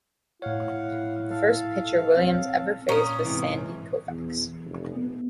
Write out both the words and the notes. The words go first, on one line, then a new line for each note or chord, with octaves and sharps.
The first pitcher Williams ever faced was Sandy Koufax.
A2 E4 C#5 F5 F#5
A4 F5
C4 C#5
A#2 C#4 A#5 D#6
G#2 C3 E3
E2
F1
B3